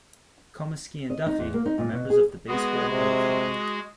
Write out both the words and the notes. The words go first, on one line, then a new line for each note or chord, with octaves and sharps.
Comiskey and Duffy are members of the Baseball Hall of Fame.
D#5
D#4
E2
A#3
D#4
A#2
B2
G#4
G#3 B3 F#4 G#4
C3